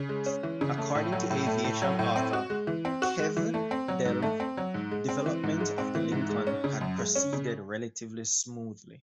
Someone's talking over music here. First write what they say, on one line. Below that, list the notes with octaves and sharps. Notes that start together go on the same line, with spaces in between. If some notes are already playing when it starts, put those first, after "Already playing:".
According to aviation author Kev Delve, development of the Lincoln had proceeded relatively smoothly.
Already playing: C#3
G#3
C#4
E3
C#3
A3
A2
F#3
A2
A3
A2
F#3
A2
C4
F#4
G#3
E3
C4
F#4
G#3
E3
A3
C4
F#3
G#2
A3
C4
F#3
G#2
G#3
C4
E3
G#2
G#3
C4
E3
G#2
G#3
C#4
C#3
F#2
G#3
C#4
C#3